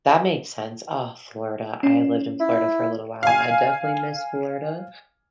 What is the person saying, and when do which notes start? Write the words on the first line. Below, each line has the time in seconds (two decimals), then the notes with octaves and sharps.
That makes sense. Ah, Florida, I lived in Florida for a little while. I definitely miss Florida.
1.83 C#4
2.40 E4
3.23 F5 G#5